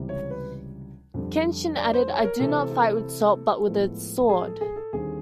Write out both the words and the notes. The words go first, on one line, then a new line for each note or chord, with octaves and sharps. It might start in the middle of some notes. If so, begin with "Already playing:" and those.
Kenshin added, "I do not fight with salt, but with the sword".
Already playing: C#2 C3 E3 G3
C#5
B4
F2 D3 G3
D5
C5
C#5
A#4
C3 E3 A3 C4 E4 A4
A4
A2 F3 G#3 B3
G#4
A4
G#4
A4
D#2 D3 G3 C4 G#4